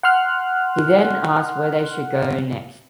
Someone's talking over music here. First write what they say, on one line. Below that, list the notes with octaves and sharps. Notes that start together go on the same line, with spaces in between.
He then asks where they should go next.
F#5 C6 F6 F#6